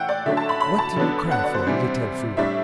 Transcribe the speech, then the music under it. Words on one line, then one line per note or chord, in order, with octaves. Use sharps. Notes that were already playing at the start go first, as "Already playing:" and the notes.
What do you cry for, little fool?'
Already playing: A2 E3 F#5 G5 E6
D5
D3 F#3 A3 D4 E5
A5
B5
B5
A5
D3 F#3 B3 D4
F#5
D5
C5
C3 E3 G3 D4
A2 G3 D4 E5